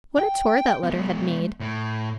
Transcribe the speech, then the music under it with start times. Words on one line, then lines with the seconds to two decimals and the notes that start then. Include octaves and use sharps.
What a tour that letter had made!
0.18 G5
0.83 G#3 B3
1.60 A2